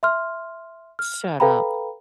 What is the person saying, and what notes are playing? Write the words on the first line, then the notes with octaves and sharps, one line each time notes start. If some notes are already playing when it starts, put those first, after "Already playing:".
Shut up.
E5 C6 F6
F6
A4 B4 F5 G5 A#5 B5